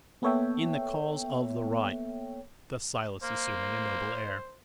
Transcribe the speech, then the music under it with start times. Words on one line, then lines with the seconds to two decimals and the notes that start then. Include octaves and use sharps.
In the cause of the right.' Thus Silas assuming a noble air.
0.22 A#3 B3 A4 C#5 E5 G5
3.23 A#3 C5